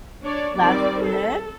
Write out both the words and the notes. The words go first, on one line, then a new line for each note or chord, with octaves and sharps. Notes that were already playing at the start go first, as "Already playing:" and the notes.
That's good.
D4 C#5 D5
D#3 G3 C4 D5
A4